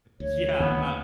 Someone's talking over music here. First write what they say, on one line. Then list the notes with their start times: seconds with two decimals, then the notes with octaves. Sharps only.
Yeah, I
0.20 D2 C#5
0.60 D#2 C3 B3